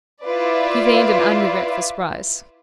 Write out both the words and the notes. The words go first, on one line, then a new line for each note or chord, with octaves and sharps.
He feigned an unregretful surprise.
E4 F4 B4 D5